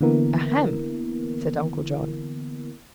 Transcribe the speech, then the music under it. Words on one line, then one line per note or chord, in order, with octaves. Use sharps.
"Ahem!" said Uncle John.
D3 E3 A#3 B3 E4 A#4